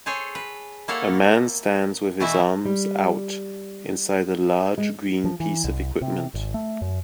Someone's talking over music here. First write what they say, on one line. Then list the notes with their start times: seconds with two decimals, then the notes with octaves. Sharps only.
A man stands with his arms out inside a large green piece of equipment.
0.06 G#4 A4 C5 C#5 G#5
0.35 B4
0.88 A#3 E4 A4 C#5 F5 F#5
2.20 B2 E3 A3 E4 F#4 E5
2.65 G3
4.78 G#3
5.24 F3
5.40 E3
5.64 C2
6.01 C3
6.34 G#1
6.54 A3
6.82 F#2